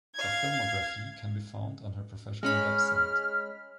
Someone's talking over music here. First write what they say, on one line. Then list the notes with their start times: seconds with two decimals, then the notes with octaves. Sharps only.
A filmography can be found on her professional website.
0.14 F5 G#6
2.43 G#3 C#4 B5 F6